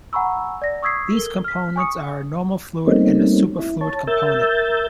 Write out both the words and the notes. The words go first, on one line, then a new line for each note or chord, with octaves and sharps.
These components are a normal fluid and a superfluid component.
F#5 G#5 A#5 B5 C#6 E6
D5 A#6
C#6 D#6 E6 G#6 B6 C7
A4 A#4 G7
F6 B6
G#5 C#6 D#6 C#7
G3 A3 A#3 C4 C#4 D#4
E4
C#5 A5
A#4 E5 E6 G6 A6